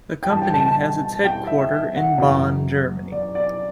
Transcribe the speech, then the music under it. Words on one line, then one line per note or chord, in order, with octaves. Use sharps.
The company has its headquarter in Bonn, Germany.
G5
G2 E3 A5
G5
A5
A5
G5
E5
F#5
F#2 E3
D5
D5